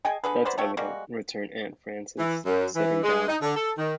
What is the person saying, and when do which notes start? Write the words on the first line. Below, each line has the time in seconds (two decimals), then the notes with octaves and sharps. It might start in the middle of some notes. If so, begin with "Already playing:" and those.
"That's evident," returned Aunt Frances, sitting down.
0.05 G#4 D#5 G5 G#5
0.24 D3 G#4 B4
0.45 F#3 B4 C5 D5
0.58 A3 F4 C#5 G5
0.77 G3 G#3 A#3 F#4
2.19 E3
2.46 F#2
2.76 E3
3.03 G#3
3.28 D#4
3.42 D3
3.57 A4
3.78 D#3